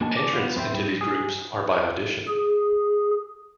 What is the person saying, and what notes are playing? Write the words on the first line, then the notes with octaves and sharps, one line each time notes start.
Entrance into these groups are by audition.
A#3 D4 F#4 D#5 G#5 A5
D5
B3 F4
F2 C4 B4 C5 E5 G5
G2
G#4
G#4